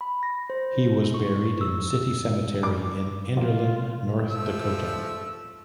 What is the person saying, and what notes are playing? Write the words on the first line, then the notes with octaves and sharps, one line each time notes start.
He was buried in City Cemetery at Enderlin, North Dakota.
B5
A#6
C5
C#6
E6
D6
F3 G#3 A#3 F4
F3 A3 E6